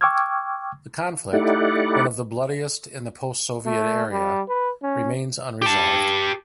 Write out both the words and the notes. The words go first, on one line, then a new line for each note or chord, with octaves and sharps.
The conflict, one of the bloodiest in the post-Soviet area, remains unresolved.
G5 C#6 D6 E6 F6 G#6
A3 D#4 E4 G4 D5 F#5
A3
G3
B4
C#4
G4 A5